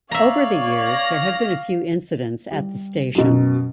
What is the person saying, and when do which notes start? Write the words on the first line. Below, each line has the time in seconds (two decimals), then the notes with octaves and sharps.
Over the years, there have been a few incidents at the station.
0.11 C#5 D5 E5 F5 A#5
0.84 F6 A#6
2.51 G3
3.15 F#2 B2